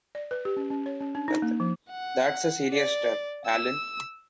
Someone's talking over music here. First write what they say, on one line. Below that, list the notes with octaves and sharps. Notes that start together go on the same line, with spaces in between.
That’s a serious step, Alan!
D5
B4
G4
C#4
C#4
C#5
C#4
D4
D#4
A#3
F3
F#5
D5
E6